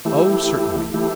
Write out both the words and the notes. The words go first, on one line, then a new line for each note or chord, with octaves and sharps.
'Oh, certainly.
E3 A3 E4 G4
E3 A3 E4 G4